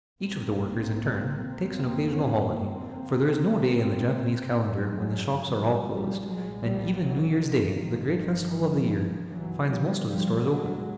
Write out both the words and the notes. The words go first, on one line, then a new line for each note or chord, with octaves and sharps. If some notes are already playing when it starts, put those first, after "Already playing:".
Each of the workers, in turn, takes an occasional holiday, for there is no day in the Japanese calendar when the shops are all closed; and even New Year's Day, the great festival of the year, finds most of the stores open.
B1 A#2 A#3 C4
F1 F2 C#3 A#3 C4
B3 C#4
A#3 C4
C#2 C#3
G1 F#2 C#3 F#3 G#3
F3 G3
F3 G3
B1 A#2 F#3 G#3
F3 G3
E3 F#3
D#3 F3
G1 G2 D#3 F3
C#2 B2 E3 F#3
F3 G3
F3 G3
F#3 G#3